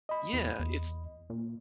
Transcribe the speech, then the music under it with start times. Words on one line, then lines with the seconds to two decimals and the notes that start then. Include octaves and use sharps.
Yeah, it's
0.09 D#5 B5
0.33 E2
0.59 E2
1.30 A#2